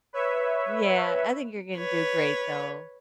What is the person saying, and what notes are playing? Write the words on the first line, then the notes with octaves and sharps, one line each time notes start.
Yeah, I think you're gonna do great though.
B4 C#5 E5
B4 C#5